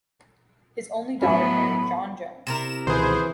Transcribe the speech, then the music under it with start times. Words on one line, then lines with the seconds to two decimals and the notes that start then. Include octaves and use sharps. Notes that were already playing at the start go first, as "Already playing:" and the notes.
His only daughter married John Jones.
1.22 A2 F#3 B3 C#4 F#4 E5 B5
2.47 C3 E4 A#4 E7
2.87 C#2 B2 D#3 E3 G#4 B4 C5